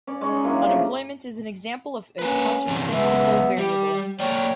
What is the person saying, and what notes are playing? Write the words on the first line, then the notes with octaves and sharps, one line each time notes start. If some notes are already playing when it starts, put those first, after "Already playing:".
Unemployment is an example of a countercyclical variable.
C#4 C#5 D5
G#3 C#4 D#4
F#3 A#3 D4 E4
C#3 F3 A3 A#3
A#3 C#4 B4
E2 G2 C3
C#3 F#3 G#3 B3 E5
G3 G4
F#3 A#3 C#5 D5 G5